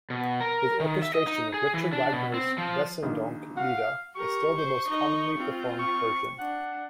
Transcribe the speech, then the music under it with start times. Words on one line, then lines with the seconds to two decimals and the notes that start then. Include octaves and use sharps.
His orchestration of Richard Wagner's "Wesendonck Lieder" is still the most commonly performed version.
0.10 B2
0.40 A#4
0.80 D#3
1.02 E5
1.14 D#5
1.27 D#4
1.54 G#4
1.74 E3
1.93 D4
2.13 B2
2.34 C4
2.58 F3
3.03 A#1 D#3
3.57 F5 F#5
4.15 G4 A#4 C#6
4.57 C5
4.87 D#4 D#5
5.36 C4 F4
5.79 C#6
6.39 D4 F#5